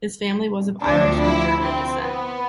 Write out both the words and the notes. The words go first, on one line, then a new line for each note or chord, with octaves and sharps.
His family was of Irish and German descent.
D2 C3 F3 D4
E4
C4
B3